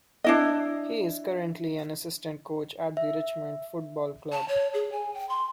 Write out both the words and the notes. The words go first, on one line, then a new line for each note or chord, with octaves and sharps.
He is currently an assistant coach at the Richmond Football Club.
D4 E4 D#5
E5
A5
C#5
G#4
G#5
G5
C6